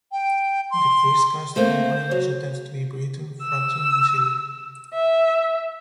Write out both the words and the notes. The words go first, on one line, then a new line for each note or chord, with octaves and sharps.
The freeze-cast component also tends to be brittle, fracturing easily.
G5
C6
A3 A#3 C4 C5
F#3
E6
E5